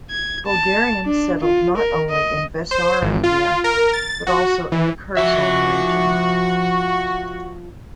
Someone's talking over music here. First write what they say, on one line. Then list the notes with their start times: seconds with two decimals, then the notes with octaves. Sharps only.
Bulgarians settled not only in Bessarabia, but also in the Kherson region.
0.11 G#6
0.47 A5
1.06 D4
1.41 F4
1.77 A#4
2.11 D#5
2.71 C5
3.02 G#1
3.23 F4
3.64 A#4
3.93 A6
4.27 F#4
4.72 E3
5.17 F3 F#4 E5